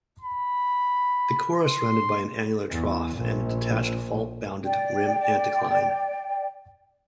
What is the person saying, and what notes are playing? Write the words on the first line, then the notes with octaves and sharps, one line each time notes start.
The core is surrounded by an annular trough and a detached fault-bounded rim anticline.
B5
C6
E2
A#1
D5 G5